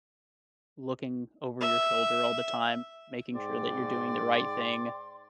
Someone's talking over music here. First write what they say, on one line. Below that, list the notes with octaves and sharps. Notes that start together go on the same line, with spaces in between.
looking over your shoulder all the time, making sure that you're doing the right thing,
E5
G#2 D5 G5 C6